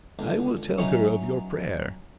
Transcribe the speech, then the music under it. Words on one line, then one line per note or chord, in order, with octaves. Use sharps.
I will tell her of your prayer.'
C#2 D3
F#3 B3 C#4 D#4 E4